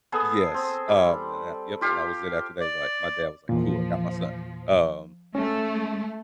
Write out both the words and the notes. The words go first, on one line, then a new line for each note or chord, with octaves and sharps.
Yes, um, then that yep, and that was it after that, he's like my dad was like, "Cool, I got my son," um
B3 G#4 A4
C4
G3
F4 G4 F5
D5
E2 A#2 F3
A3 C#4